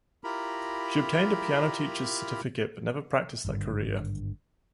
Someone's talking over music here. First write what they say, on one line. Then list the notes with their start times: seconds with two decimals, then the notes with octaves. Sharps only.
She obtained a piano teacher's certificate but never practiced that career.
0.24 E4 F4 G4 A#4 A#5 B5
3.45 G#1 G2 D3